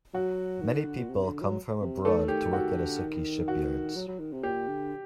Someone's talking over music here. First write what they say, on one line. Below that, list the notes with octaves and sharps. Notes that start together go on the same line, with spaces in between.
Many people come from abroad to work at Usuki shipyards.
F#3 F#4
D#3
D#3
D3
A#2
C3
D3
F#3
C3
D#3 A3 A4
D#3 G4
D#3 F#4
D3
D#3
F#4
F#3
F#3
D#3
C3
A#2 G4
D3